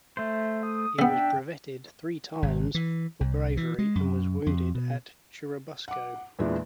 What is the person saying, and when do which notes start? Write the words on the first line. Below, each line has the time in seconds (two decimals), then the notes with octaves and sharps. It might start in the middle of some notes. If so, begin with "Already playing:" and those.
He was brevetted three times for bravery and was wounded at Churubusco.
0.17 A3 C5 E5
0.63 D#6
0.99 C#3 B3 D4 E5 G5
2.42 G#1
2.75 E3
3.20 C2
3.57 E3
3.78 G#3
3.95 F#2
4.46 F2
4.75 B2
5.88 F#5 D6
6.39 E2 A#2 E3 G#3 D4 E4